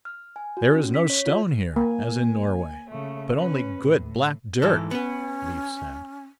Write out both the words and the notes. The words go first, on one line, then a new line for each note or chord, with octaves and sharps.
"There is no stone here as in Norway, but only good black dirt," Leif said.
F6
G#5
F#4
C#4
B6
C#5
F4
A#3 G#5
C#3 A3
C#4 B4
A2
G#2 E3 A4
B3 C#4 B4